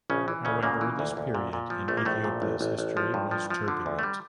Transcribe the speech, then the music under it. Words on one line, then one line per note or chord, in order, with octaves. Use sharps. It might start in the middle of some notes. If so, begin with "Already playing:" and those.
However, this period in Ethiopia's history was turbulent.
A#1 C#3 C#4
E3
D2 C#3 C#4
A#2 C#3 A#3
E3
D2
D2
A#2
A#2
F3
A#1 A3
A#3
A#1 A2 A3
A#2
A1
A1
A1
F3
G2
F3
F3
D3
D2
A3
G3